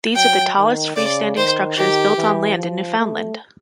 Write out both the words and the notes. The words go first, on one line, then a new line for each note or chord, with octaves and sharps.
These are the tallest freestanding structures built on land in Newfoundland.
F#3 G5
D#3
C#3 D5
D#3 C5
D#3 G4
E3
F3
A3